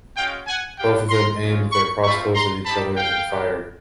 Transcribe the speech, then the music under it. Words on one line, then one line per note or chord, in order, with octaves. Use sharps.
Both of them aimed their crossbows at each other and fired.
G#3 C#4 F#4 F5 G5
F#5 G#5
B3 D4 G4 F5 G5
A#5 C6
G#3 C#4 F4
B5 C#6
A3 C4 F4 B5 C#6
A#5 C6
C4 D#4 G4 A5 B5
F5 G5
B3 D4 G4